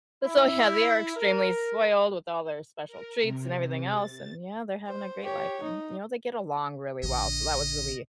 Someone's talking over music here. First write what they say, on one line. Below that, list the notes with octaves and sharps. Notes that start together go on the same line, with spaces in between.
so, yeah, they are extremely spoiled with all their special treats and everything else, and yeah, they're having a great life, and you know, they get along really well, so that was really,
E4
A#4
A#4
C3
A6
C5
G4 C#5
D#4
A#1 D3 D#5